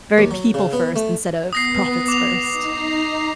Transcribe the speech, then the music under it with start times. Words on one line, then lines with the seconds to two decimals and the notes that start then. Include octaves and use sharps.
Very people first instead of profits first,
0.18 D#2
0.31 F#3
0.54 C#3
0.73 B3
0.96 A3
1.53 B3 D#6 A#6 C7
2.08 D6 F7
2.51 D#4 A#5 C7